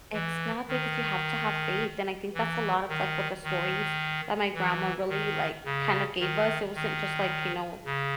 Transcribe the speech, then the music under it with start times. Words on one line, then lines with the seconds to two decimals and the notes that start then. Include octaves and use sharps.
Exactly, 'cause you have to have faith, and I think that's a lot of, like, what the stories that my grandma really, like, kind of gave us, it wasn't just, like, you know
0.13 E3
0.68 D#3
2.34 E3
2.89 D#3
3.44 D#3
4.54 E3
5.09 D#3
5.65 C#3
6.20 D#3
6.75 D#3
7.85 C#3